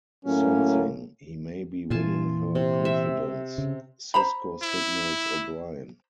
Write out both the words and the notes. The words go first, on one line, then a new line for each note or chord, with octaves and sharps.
Sensing he may be winning her confidence, Sisko signals O'Brien.
A2 F#3 A#3 C#4
A#2 E3 F4 G#5 A5
C3
E5
C#3
C5 A#5 B5
E4